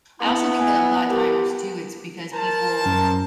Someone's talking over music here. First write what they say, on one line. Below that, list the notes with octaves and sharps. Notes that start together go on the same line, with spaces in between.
I also think that a lotta times too, it's because people
B3 E4
G#5
G4 A#4
A#4 C5 A5
F#2